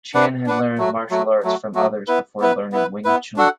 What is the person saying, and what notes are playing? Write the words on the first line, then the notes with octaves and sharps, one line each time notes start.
Chan had learned martial arts from others before learning wing chun.
D4 B4 D5 F#5
D4 B4 D5 F#5
F#3 A3 F#4
F#3 A3 F#4
F#3 A3 F#4
F#3 A3 F#4
B3 E4 B4
B3 E4 B4
B3 E4 B4
B3 E4 B4
D4 F#4 A4 F#5